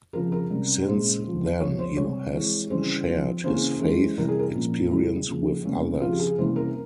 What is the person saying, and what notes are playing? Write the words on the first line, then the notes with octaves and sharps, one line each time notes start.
Since then, he has shared his faith experience with others.
C#3 F3 C4 A#4
A#4
C3 G3 C#4
A#2 G#3 C#4 C5
F3 C4
F3 C4 C#5
C5
C3 G3 C4 C#5
E3 G#3 C4
C#3 E3 G3 C#4 C5
F3 C4
C#3 E3 A#3 C#4 C5
E3 G#3 C#4
C3 E3 G3 A#4
G#4
A#4
A#2 F3 A#3 C#4
C#3 G3 C4 E4
C#3 F3 A#3
C3 G3 A#3 C#4
C#3 F3 C4 F4
G4
G#4
C3 E3 G3 A#3 C#4 C5
A#4